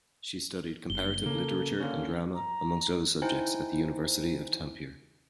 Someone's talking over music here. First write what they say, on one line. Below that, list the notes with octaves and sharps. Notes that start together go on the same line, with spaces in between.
She studied comparative literature and drama, amongst other subjects, at the University of Tampere.
F#1 G7
C#3 A#3 A4
D3 A#3 C#4
A#5
D#4 E4 C5 G5 G#5